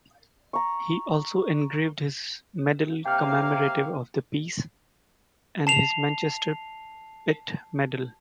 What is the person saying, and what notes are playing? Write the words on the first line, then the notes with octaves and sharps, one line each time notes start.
He also engraved his medal commemorative of the peace and his Manchester Pitt medal.
A#5 C#6
C3 A#3 F5 G5 F6
A5 C7 F7